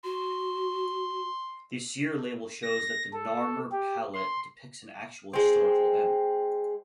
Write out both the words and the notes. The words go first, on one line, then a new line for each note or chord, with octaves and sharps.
This year label shows that the Narmer Palette depicts an actual historical event.
F#4 C6
A#6
A4
G4
C6
G#3 C4